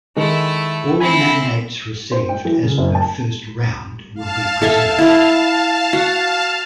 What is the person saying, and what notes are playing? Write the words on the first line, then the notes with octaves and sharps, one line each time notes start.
All mandates received as per first round will be preserved.
D#3 G#3 A3 E4
C4 E4 G#5 B5
C5
G5
E3
C#3
F#1
A5
F5 A5
A4 E5 G#5
E4 E5
F#4